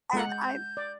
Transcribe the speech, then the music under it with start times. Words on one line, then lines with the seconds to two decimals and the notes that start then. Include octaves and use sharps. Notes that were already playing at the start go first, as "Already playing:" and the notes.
And I'm
0.13 G#3 F4 A4 F#5 A#5
0.29 G6
0.77 D5